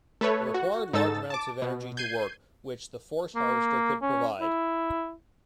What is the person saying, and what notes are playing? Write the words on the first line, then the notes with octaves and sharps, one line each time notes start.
It required large amounts of energy to work, which the Force Harvester could provide.
A3 A4 B4 C#5
F#4
G#2 D#4 A4 E6 A6
A5 D6
B2
G6 G#6 C7 D#7
A#3
C#4
E4